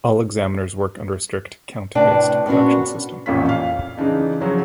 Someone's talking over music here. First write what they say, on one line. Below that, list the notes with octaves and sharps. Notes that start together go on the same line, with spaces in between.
All examiners work under a strict, "count"-based production system.
A2 C3 D4 B4 D5 A5
A#2 B3 C#4 D4 F#4
A1 F2 A#2 C#4 F4 B6
F5
C#3 E3 D4 D#4
C#3 F3 F#3 C#4